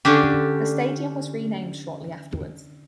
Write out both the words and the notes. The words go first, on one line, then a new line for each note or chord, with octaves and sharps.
The stadium was renamed shortly afterwards.
D3 C#4 D4 G4